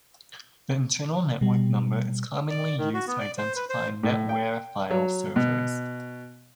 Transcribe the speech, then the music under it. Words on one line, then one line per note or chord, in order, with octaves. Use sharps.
The internal network number is commonly used to identify NetWare file servers.
B2 G3
D5
D#3
F#4
B3
D5
C5
B4
C5
A2
G5
F#3
B2